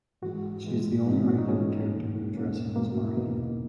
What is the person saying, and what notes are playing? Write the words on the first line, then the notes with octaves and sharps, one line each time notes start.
She is the only regular character to address him as Marty.
G#2 E3 G#3 F#4
G#2 E3 G#3
G#2 E3 G#3 D#4
C#4
F#4
D#4
G#2 E3 G#3 C#4
E2 B2 A#3
E2 B2 A#3 C#4
E2 B2 A#3
F#4
E4
E2 B2 A#3 D#4